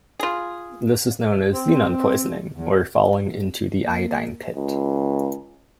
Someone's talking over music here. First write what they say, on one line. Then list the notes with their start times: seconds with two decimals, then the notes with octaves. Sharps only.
This is known as xenon-poisoning or "falling into an iodine pit".
0.20 F4 G#4
1.52 C4
2.54 E2
3.85 A#3
4.56 C#2